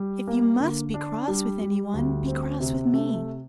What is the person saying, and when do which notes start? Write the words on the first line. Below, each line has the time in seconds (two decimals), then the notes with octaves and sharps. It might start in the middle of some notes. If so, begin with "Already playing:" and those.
If you must be cross with anyone, be cross with me.
Already playing: G3
0.27 A#3
0.60 D3
0.94 D4
1.28 G3
1.61 G3
1.94 D2
2.27 C4
2.60 C3
2.93 A3